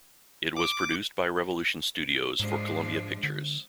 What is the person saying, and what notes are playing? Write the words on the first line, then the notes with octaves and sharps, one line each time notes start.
It was produced by Revolution Studios for Columbia Pictures.
D6
G#2 F3 G#3 D4
D3